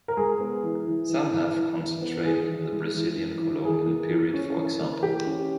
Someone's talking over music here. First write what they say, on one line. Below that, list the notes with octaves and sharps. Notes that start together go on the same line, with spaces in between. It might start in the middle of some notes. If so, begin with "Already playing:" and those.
Some have concentrated on the Brazilian colonial period, for example.
A#4
G#3 G#4
B3
E3
E3
E3
E3
E3
E3
B3
E3 G#4
E3
G#3
E3
E3
E3
E3 G#4
A#3
E3
C#4
E3
A#3
E3 G4
C#4